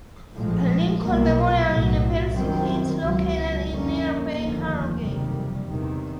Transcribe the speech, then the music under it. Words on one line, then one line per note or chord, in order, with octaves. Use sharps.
Lincoln Memorial University is located in nearby Harrogate.
A#1 A2 F3 G#3
B1 B2 G3 A#3
B1 A2 F#3
F#2 D#3 G3 C4
C#2 B2 F#3
F2 D3 G3 A#3 C#4
F1 D#2 D3 F3 A#3
F#1 F2 C3 D#3 G3
E2 C3 D#3